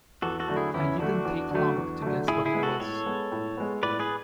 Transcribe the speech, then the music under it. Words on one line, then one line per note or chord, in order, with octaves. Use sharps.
I didn’t take long to guess what it was.
E2 F#4 A4
F#4 A4
D3 F#3 A3
E4 G#4
E2 C#4 E4
D3 F#3 A3 D4 F#4
E2
D3 F#3 A3
E2
D3 F#3 A3
A2 E4 G#4
E4 G#4
G#3 B3
F#4 A4
A2 A4 C#5
G#3 B3
A2
G#3 B3
A2 B4 D5
G#4 B4